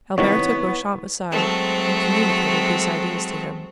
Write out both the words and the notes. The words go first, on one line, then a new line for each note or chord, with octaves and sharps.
Albert took Beauchamp aside, and communicated these ideas to him.
C3 D#3 F#3 B3 E4 C#5 F#5 C#6
F#3 G#3 A3 C4